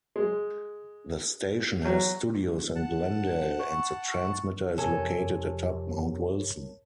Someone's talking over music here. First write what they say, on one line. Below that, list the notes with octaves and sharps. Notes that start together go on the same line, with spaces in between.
The station has studios in Glendale, and the transmitter is located atop Mount Wilson.
G#3
F#3
F#5 A5
C#6
F2 C3 A4 A#4 C#5 G#5 A5